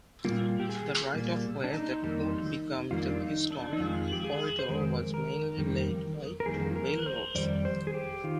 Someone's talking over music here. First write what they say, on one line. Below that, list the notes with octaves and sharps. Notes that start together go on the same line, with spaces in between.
The right-of-way that would become the Keystone Corridor was mainly laid by two railroads.
A#2 G3 A#3 F4
G4
G#4
A#2 G3 A#3
D4
D#4
F2 D#3 G3 A#3
F2 D#3 G3 A#3 F4
D4
D#4
D4
D#4
F2 D#3 G#3 F4
G4
G#4
C5
F2 D#3 G#3 A#4
A#4
F2 D#3 G3 A#3
A#4
F2 D#3 G3 A#3 G#4
A#4
C5
F2 D#3 G3 D5
C5
G#4
G4
D#3 F4